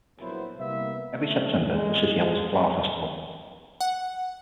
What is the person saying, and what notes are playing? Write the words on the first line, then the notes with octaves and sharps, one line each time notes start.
Every September the city holds a flower festival.
A#1 F#3 A#3 B3 E4 C5
C2 A#3 B3 E5
A3
G#3
F#5